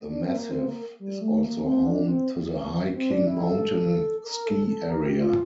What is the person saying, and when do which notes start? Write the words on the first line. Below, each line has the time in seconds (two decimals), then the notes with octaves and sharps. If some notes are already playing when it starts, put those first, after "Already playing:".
The massif is also home to the High King Mountain Ski Area.
0.08 D4
0.22 C4
0.34 A#3
0.51 C4
0.67 A#3
1.00 G3
1.21 A3
1.43 A#3
1.64 C4
1.86 D4
2.08 C4
2.94 C4
3.11 D4
3.27 E4
3.43 A4
4.24 A#4
4.46 A4
4.68 A4
4.89 A#4
5.06 G4
5.21 F4